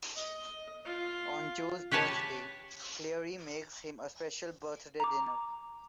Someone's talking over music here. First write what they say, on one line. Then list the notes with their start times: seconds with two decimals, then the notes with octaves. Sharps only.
On Joe's birthday, Claire makes him a special birthday dinner.
0.16 D#5
0.85 F4
1.91 G4 B4 C#5 G#5 A5
5.00 A#5 D6